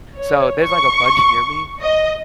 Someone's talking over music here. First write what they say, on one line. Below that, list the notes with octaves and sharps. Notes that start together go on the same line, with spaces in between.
so, there's, like, a bunch near me,
C#5
C#6
D#5